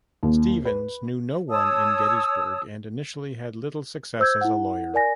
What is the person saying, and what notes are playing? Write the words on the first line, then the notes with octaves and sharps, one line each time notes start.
Stevens knew no one in Gettysburg, and initially had little success as a lawyer.
D#2
B4
C#5 A5 D#6 E6
C5 E6 G6 G#6
E4 F#5
A#4 D5 G#5 A#6